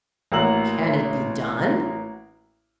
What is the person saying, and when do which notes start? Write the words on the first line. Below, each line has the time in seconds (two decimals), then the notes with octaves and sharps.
"Can it be done?"
0.32 A1 A#3 F#4 E6 F#7